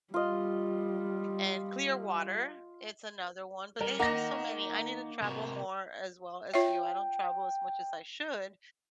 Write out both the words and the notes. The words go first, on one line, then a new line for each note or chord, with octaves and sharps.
and Clearwater, it's another one, but they have so many. I need to travel more, as well as you, I don't travel as much as I should,
G3 F4 D#5
G3 A#4
A#3 D#4 A#4 F#5 A#6
C3 F#4
F4 C#5 E5 G5